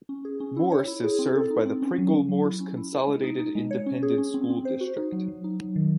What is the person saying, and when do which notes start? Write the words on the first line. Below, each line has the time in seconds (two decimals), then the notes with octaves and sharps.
Morse is served by the Pringle-Morse Consolidated Independent School District.
0.09 C#4
0.25 G#4
0.40 C#4
0.57 E4
0.72 C#5
0.88 E4
1.04 G#4
1.19 C4
1.35 A4
1.51 D#4
1.66 C4
1.82 C#4
1.98 F#3
2.14 F#3
2.29 F#3
2.45 E4
2.60 C#4
2.77 E4
2.93 E4
3.08 G#3
3.23 D#4
3.39 D#4
3.55 G#3
3.71 C#5
3.86 C#4
4.03 G#4
4.18 C#4
4.34 C4
4.50 C4
4.65 C5
4.81 F#4
4.97 D#4
5.12 F#3
5.28 F#3
5.44 D#4
5.60 F#3
5.76 D#3